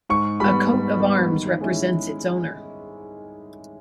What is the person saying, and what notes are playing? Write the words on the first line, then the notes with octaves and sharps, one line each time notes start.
A coat of arms represents its owner.
G#2 C#6
G3 B3 B5
G#2
G3 B3
D#3
G#3 C#4 E4